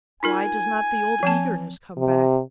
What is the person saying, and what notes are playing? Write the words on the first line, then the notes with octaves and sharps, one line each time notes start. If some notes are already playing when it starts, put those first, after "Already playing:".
Why does not the old eagerness come back?
D#4 F4 A#4 G#5
F3 C4 A5
C3